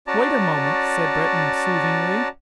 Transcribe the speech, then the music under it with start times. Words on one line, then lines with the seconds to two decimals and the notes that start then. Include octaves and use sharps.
"Wait a moment," said Breton, soothingly.
0.07 C#4 F#4 D5 A5 A#5